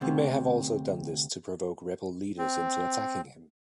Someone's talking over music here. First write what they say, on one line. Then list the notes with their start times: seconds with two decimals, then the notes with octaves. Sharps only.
He may have also done this to provoke rebel leaders into attacking him.
0.01 D2 C3
2.38 C4